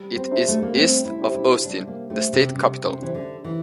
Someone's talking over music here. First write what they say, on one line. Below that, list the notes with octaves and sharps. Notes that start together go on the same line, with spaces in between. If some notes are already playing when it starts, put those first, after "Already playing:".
It is east of Austin, the state capital.
Already playing: G3
C4
D4 G4 C5 E5
A3
A#3
G3 C4
E4
D4 G4 C5 E5
E4
G3 D4
A#3
A3 D4 G4 C5 E5
C3
C3 G3
C3
E3 D4 G4 C5 E5
D3
E3